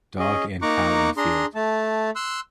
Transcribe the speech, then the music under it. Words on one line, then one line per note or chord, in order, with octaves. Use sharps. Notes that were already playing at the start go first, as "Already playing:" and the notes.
Dog and cow in field.
C#4 G#4 D#5
A#3 D#4 A#5 C#6 D6 F#6
D4 G#4 A#5 C6
A3 A5
C6 E6 F#6